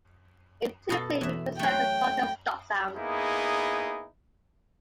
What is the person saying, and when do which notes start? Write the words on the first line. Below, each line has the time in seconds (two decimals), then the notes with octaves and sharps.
It typically represents a glottal stop sound.
0.90 B2 A4
1.21 E2 E5
1.59 F#3 A3 G5
2.96 A#3 B3 D#4 E4 G#4